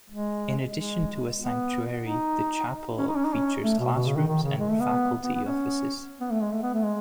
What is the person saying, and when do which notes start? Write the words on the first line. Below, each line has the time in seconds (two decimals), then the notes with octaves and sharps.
In addition to a sanctuary, the chapel features classrooms and faculty offices.
0.10 G#3
0.74 G#3
1.38 B3
2.03 D#4
2.98 C#4
3.07 D#4
3.16 C#4
3.25 D#4
3.34 C#4
3.63 A3
3.79 B2
3.95 B2
4.06 C#3
4.17 D#3
4.27 D#3
4.43 C#3
4.59 G#3
4.70 A3
4.81 B3
5.24 B3
5.34 B3
5.45 C#4
6.20 B3
6.31 A3
6.41 G#3
6.52 A3
6.63 B3
6.74 A3
6.84 G#3